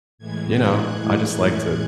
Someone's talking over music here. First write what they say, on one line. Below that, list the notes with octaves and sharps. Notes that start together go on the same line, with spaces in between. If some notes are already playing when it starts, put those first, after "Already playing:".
you know, I just like to
A2 E3 G#3 G#6
F#6
F#6